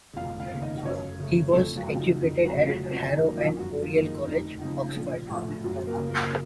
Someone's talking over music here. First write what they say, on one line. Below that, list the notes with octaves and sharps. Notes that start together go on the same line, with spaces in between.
He was educated at Harrow and Oriel College, Oxford.
F1 F4 F5
F4 F5
D#2 C#3
D#4 D#5
F#2 C#4 C#5
C#3 A3
F2 A3 A4
F#3 F#4
C#3 F#3 A3 F4
D#4
F1 D#4
F#3 F#4
F2 C#3 A3
F#3 F#4
F2 C#4
D#4
D#3 F#3 A#3
F3 F4
F#2 F#3 F#4
F3 F4
D#3 A#3
D#4
F1 D#4
F2 C#3 D#4
A#1 F3 F4
A2 F3 A3 F4
F#2 F#3 F#4
A#3 A#4
C#3 F#3 A#3
A#3 A#4